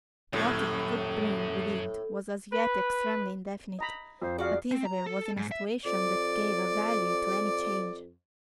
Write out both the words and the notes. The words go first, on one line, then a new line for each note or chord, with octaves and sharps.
What it would bring with it was as yet extremely indefinite; but Isabel was in a situation that gave a value to any change.
D#1 F#2 A2
B4
D#5 A#5 B5
F2 C5
F#4 G#4 D5 F5 F#5
C4
A#5
A4
G#2
E5
F2 D5